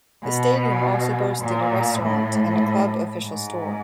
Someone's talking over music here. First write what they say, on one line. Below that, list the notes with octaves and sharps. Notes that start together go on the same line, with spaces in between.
The stadium also boasted a restaurant and a club official store.
B2
A#2
A2
G#2